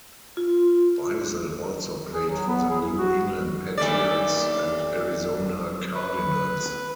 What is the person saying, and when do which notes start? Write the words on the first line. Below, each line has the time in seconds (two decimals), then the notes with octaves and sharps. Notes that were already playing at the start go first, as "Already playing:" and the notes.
Beisel also played for the New England Patriots and Arizona Cardinals.
0.37 F4
2.12 G#4
2.28 F#3
2.47 B3
2.69 G#4
2.81 E4
2.98 F#4
3.78 D#2 A3 D5
5.95 B4